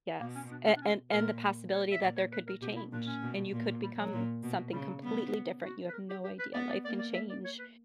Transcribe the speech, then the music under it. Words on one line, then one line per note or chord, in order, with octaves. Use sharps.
Yes, a an and the possibility that there could be change, and you could become something completely different. You have no idea, life can change
B2 A#3
C#4
D4
C#4
D4
C#4
A#2 A#4
C#5
E5
A#2 D5
C#5
B4
A#4
B2 G4
E4
A#2 D4
C#4
B2
A#2
G3
F#3
A#2
B2
C#3 G3
F#3
G3 B3
F#4
B4
A#4
G4
G4
B4
B3 D5
D5
A#3 D5
D5
E5
D5
C#5
B4